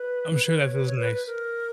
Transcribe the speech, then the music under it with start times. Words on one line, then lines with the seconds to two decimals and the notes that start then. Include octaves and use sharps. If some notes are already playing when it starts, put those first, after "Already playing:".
I'm sure that feels nice.
Already playing: B4
0.31 B4
0.45 B4
0.58 C#5
0.73 B4
0.86 C#5
0.99 B4
1.13 B4
1.27 A#4